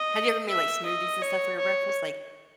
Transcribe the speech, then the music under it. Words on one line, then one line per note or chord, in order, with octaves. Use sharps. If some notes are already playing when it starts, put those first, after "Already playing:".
Have you ever made, like, smoothies and stuff for your breakfast, like
Already playing: D#5
E5
D#5
C#5
C#5